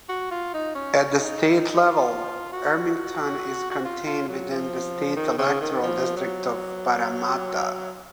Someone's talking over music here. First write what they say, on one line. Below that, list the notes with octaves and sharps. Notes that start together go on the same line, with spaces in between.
At the state level Ermington is contained within the State Electoral District Of Parramatta.
F#4
F4
D#4
C#4
C#4
D#4
F4
F#4
F#4
F4
F4
F#3
F3
D#3
C#3
D#3
F3
F#3